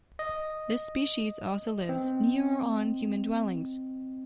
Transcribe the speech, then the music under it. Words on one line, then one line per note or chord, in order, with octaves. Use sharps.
This species also lives near or on human dwellings.
D#5
C4